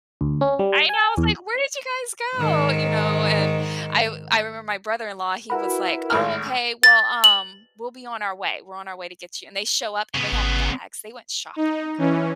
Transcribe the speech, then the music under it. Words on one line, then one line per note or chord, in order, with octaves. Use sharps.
I know! I was like, "Where did you guys go?" You know? And I I remember my brother-in-law, he was like, "Oh, okay. Well, um, we'll be on our way. We're on our way to get you." And they show up, and they have bags. They went shopping.
D2
C#4
G3
G#5
E2
G#2 D#3
E4 F#4 A#4 B4 F#5 B5
G#1 A2 F6
A6
F#7
C#3 B3
G#1
D#4
E3 C#4